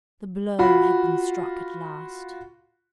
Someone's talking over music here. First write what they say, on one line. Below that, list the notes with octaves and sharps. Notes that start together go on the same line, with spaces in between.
The blow had been struck at last.
F4 F#4 B5